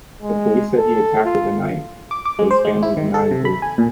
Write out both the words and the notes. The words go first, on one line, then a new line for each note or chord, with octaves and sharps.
The police said he attacked with a knife, but his family denied this.
G#3
A4
F4
D6
D6
G#3
C5
G#3
E4
D#3
A4
C3
B5
G#5
A#2